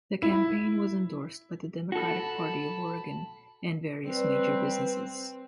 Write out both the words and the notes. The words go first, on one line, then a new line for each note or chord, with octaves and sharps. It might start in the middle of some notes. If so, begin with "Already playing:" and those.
The campaign was endorsed by the Democratic Party of Oregon and various major businesses.
E4
F#4 A4 A5 B5
G3 C4 B4